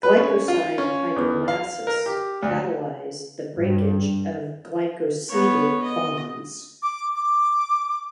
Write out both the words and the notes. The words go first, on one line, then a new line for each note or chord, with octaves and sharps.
Glycoside hydrolases catalyze the breakage of glycosidic bonds.
B4
C#4
F4
C#4
E2
F5
A#4
G4
D2
G2
B3 C#5
D#5
D6
D6